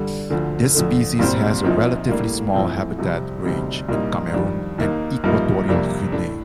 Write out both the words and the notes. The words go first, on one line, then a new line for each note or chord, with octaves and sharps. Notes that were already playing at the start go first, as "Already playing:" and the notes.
This species has a relatively small habitat range in Cameroon and Equatorial Guinea.
Already playing: G2 D3 G3
D2 D3 F3
F2 D3 A3
C2 A#2 G3 C4
A#1 A#2 F3 C4 D#4
A2 G3 A#3 D4
A#1 A2 F3 C4
F2 C3 G3
D2 C3 G3 C4 D#4
C2 A#2 G3 A#3 D#4
F2 D#3 G3 D4
D#2 D#3 A#3 D#4
G1 G2 F3 A#3 D#4
F2 C3 G3 A#3 D4
A2 A3 D4